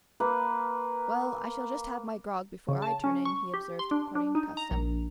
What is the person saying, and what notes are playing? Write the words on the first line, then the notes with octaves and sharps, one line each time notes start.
"Well, I shall just have my grog before I turn in," he observed, according to custom.
A#3 B4
C#3
A5
C#4
C#6
G4
C6
D4
D4
D#4
A#5
A#1